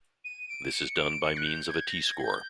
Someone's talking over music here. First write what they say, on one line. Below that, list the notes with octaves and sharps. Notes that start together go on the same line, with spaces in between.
This is done by means of a t-score.
D#7
D7
C#7
D7
C#7
F#6
G6
G#6
A#6
G#6
G#6
G6